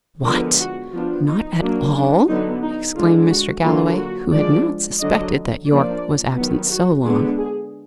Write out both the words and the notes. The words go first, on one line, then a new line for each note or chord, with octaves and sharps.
"What! not at all?" exclaimed Mr. Galloway, who had not suspected that Yorke was absent so long.
D3 F3 G#3 B3 A#4
F#4
F3 B3 D4 F4
D#4
F#3 A#3 D4
D4
D3 F#3 B3 D#4
D#4
D3 G#3 D4 F4
F#4
D3 F#3 A#3 D4 F4
F#4
F3 G#3 D4 D5
D3 F#3 D4 D#5
F3 A#3 D4 D5
D#3 F#3 B3
F#4
D3 G#3 B3 D4 G#4
G#4